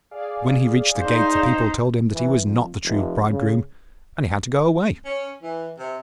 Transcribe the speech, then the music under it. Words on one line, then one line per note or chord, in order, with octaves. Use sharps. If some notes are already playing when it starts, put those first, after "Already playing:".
But when he reached the gate the people told him that he was not the true bridegroom, and he had to go away.
G#4 D5 F5
D#4 C5
E3
F2
F1
C#3
C#4
E3
C3